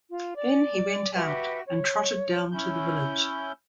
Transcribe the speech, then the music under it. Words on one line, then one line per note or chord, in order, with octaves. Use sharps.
Then he went out, and trotted down the village.
F4
D5 D6
F#4 G4 B4 E5
C#5
C#4 E4 G6